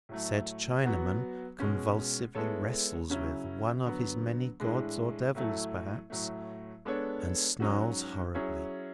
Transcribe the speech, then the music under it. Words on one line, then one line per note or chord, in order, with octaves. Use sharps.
Said Chinaman convulsively wrestles with one of his many Gods or Devils, perhaps, and snarls horribly.
A2 F#3 A3
F#3 B3 F#4
B2 G#3 C#4
G#3 B3 E4 A4 C#5
C#3 F#3 C#4 E4
D3 F#3 B3
A2 E3 G#3 D4
A2 F#3 A3 E4 A4
A2 F#3 A3
G#3 B3 D4 A4 C#5
G#2 F#3 C#4 F#4
F#3 C#4 E4 G#4 C#5